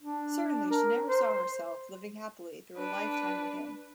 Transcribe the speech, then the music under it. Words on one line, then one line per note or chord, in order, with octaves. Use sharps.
Certainly she never saw herself living happily through a lifetime with him.
D4
A#4
C5
C5
D4 B4